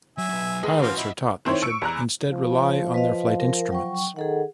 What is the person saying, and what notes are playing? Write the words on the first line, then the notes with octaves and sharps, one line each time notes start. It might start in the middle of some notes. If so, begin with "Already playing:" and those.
Pilots are taught that they should instead rely on their flight instruments.
F#3 E5 G#5
F#3 B4
A2 G#3 G#4 B4 G#5
F3 C#4 F4 F#4
E4 D#5 F#5
D#3 C4 E4 C5 C#5
C#6 E6 C#7 D7
E2 A#5 F#6
F3
B4 D#5 F5
A#4
F#3 G5 C#6
D#3 G#4 A4 F#5